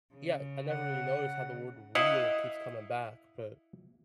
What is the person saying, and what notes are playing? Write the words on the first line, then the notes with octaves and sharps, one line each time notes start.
yeah, I never really noticed how the word "real" keeps coming back, but
C#3
F#5
E4 D#5 F5 F#5